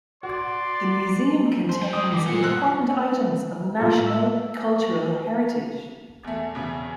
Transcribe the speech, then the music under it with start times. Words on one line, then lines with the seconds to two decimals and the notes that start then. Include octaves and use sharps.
The museum contains important items of national cultural heritage.
0.23 F#4 D5 C6
1.69 C5
1.82 C#4 G5
1.93 D#6
2.12 A2 E3 D6 C7
2.27 A#2 D#4 F#5
2.43 E6 F#6
3.80 A2 F4 A4
4.06 E6
6.24 E2 A3
6.55 E2 C#3